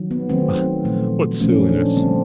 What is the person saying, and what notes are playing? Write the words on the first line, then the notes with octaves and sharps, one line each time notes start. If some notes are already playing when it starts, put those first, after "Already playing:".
Ah, what silliness!
Already playing: D#3 F#3
B3
D#3 F#3 A3 C4
A#2 F3 A3
A#2 F3 A3 C#4
D4
D3 G3 A#3 C4